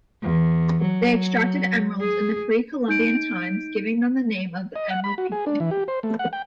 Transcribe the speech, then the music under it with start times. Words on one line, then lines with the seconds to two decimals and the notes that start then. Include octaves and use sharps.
They extracted emeralds in pre-Columbian times, giving them the name "The Emerald People".
0.22 E2
0.81 F#3
2.01 G#4
2.88 D#4 G6 D7
4.76 D#5
4.90 F#5
5.04 B5
5.18 F#4
5.32 G#4
5.46 D4
5.60 E3
5.71 G4
5.88 C5
6.03 A3
6.19 F#5
6.33 G5